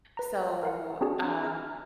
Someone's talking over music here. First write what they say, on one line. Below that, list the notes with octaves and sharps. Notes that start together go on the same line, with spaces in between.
So, um
B4 A#5
A#4 F5 F#5
C4 D4 F#4 G#4 D5
A#5 F6